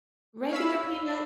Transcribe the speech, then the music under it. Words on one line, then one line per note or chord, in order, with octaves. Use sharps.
Regular peanuts
C#5 F5 B5 E6